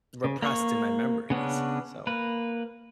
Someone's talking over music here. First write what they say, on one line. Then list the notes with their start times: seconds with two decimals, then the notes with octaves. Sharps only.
repressed in my memories. So,
0.24 C#3
0.42 A#3 C#6
1.30 C#3 B3 C#4 D4
2.07 A#3 B4